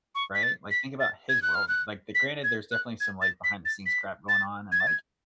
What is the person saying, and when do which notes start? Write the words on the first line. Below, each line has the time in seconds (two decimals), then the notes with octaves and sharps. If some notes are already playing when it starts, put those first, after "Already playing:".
Right? Like, think about his world, like the granted, there's definitely some, like, behind-the-scenes crap going on, and like,
0.15 C#6
0.35 B6
0.43 A6
0.71 B6
1.00 A6
1.29 G#6
1.42 F#6
1.55 F6
1.68 F#6
2.15 B6
2.44 G#6
2.71 F#6
3.00 G#6
3.22 A6
3.44 B6
3.65 A6
3.86 B6
4.29 A6
4.72 G#6
4.80 A6
4.87 G#6